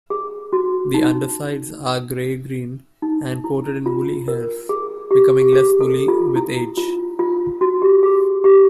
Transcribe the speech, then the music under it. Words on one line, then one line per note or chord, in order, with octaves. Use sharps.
The undersides are gray-green and coated in woolly hairs, becoming less woolly with age.
G#4
F#4
D#4
D#4
E4
F4
A#4
G#4
G4
G4
G#4
A4
F4
E4
F4
F4
F#4
G4
G#4
G4